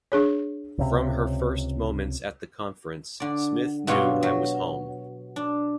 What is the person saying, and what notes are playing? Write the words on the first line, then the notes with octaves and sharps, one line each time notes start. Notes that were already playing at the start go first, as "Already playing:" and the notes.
From her first moments at the conference, Smith knew I was home.
D4 G#4 C#5
C#2 C3
D3 D5
G2 B2 F#3 F4 C#5 F#5
F#3
D4